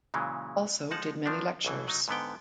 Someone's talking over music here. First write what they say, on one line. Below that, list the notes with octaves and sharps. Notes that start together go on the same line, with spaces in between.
Also did many lectures.
A#2 C#3 E3 F#3 G#3
F3 G#3 D#4 F#5 A5
D#3 F3 C4 D4
B1 B2 E3
F#3 D#4
G#2 D3 B3 G5